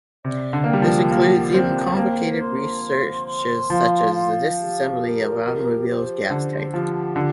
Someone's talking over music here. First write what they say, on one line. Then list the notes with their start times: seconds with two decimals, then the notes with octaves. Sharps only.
This includes even complicated searches such as the disassembly of an automobile's gas tank.
0.24 C3 D5
0.53 D3
0.64 A#3 G5
0.73 G3
0.82 F3
1.11 A#3 G4
1.54 C4 G5
1.97 A#3 C5
2.40 C6
2.84 C5
3.27 C6
3.70 F3 F5
4.13 F5
4.57 G4
5.00 A#4
5.43 G4
5.87 C5
6.30 D3 G4
6.73 F3 G4
7.16 D3 F4